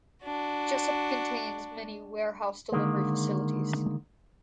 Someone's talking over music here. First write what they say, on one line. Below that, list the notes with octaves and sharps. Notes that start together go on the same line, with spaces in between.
Jessup contains many warehouse delivery facilities.
D4 F#4
D3 D#3 G#3 A#3